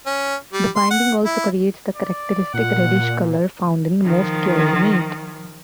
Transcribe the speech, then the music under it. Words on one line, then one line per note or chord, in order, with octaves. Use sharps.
The binding also creates the characteristic reddish color found in most cured meat.
C#4
G3
C6
F#5
E4
D5
A#2 F#5
D#3 F3